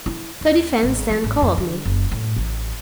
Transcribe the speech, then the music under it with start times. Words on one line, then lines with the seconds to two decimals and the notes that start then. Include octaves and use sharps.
The defense then called me.
0.06 E4
0.41 D#2
0.83 G#1
1.10 F3
1.24 G#1
1.42 F2
1.58 D3
1.85 F#1
2.12 A2
2.36 A1